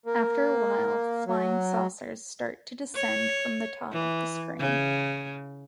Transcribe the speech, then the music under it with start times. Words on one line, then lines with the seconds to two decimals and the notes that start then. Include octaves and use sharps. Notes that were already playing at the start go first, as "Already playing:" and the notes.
After a while, flying saucers start to descend from the top of the screen.
0.06 A#3
1.26 F#3
2.95 C#5
3.92 E3
4.59 C#3